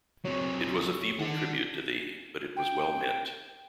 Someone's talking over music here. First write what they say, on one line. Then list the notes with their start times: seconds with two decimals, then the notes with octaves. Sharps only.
It was a feeble tribute to thee, but it was well meant.
0.25 F#3 C4 C#5 C#6
1.20 D3 D#3 F#5
2.56 G5